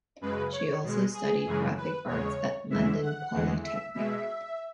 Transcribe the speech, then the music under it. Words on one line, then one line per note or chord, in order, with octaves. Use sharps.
She also studied graphic arts at London Polytechnic.
F#2 C#3 G#3 B4
C#5
B2 G#3
G#4
F#2 C#3 E3 G#3
B4
E2 C#3 G#3 C#5
E2 E3 G#3 E5
F#5
E2 E3 G#3
E5
B2 G#3 E5